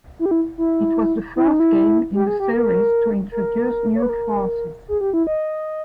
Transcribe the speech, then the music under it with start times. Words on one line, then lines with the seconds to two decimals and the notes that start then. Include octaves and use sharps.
It was the first game in the series to introduce new Forces.
0.19 E4
0.26 G4
0.31 E4
0.58 E4
1.36 E4
1.48 D#4
1.60 E4
2.15 G4
2.27 G#4
2.40 G4
2.54 A#4
3.32 A#4
3.95 C#5
4.03 B4
4.09 A#4
4.88 G#4
5.01 G4
5.14 E4
5.27 D#5